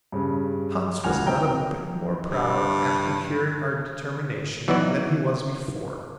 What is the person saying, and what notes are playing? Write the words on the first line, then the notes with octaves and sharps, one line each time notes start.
Hans was not a bit more proud after hearing our determination than he was before.
G2 C#3
C#2 F#4 G#5 F6 F7
C4 C#5 G5 A#5
G2
E3 F#3 B3 D#4 F#4 D5